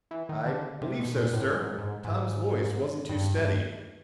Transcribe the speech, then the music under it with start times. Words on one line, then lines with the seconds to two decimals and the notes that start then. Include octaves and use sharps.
"I believe so, sir." Tom's voice wasn't too steady.
0.11 E3
0.29 D#3
0.46 D3
0.81 C3
0.99 B2
1.16 A#2
1.33 A2
1.52 G#2
1.78 G#2
2.04 G#2
3.09 G2
3.36 G2